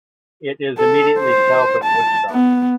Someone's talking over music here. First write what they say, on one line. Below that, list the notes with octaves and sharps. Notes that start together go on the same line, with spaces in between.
It is immediately south of Woodstock.
A4
C5
A5
B3